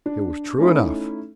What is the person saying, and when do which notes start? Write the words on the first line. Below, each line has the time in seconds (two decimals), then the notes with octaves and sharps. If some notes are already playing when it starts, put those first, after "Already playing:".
It was true enough.
0.06 D4
0.58 A3 C#4 D#4 E4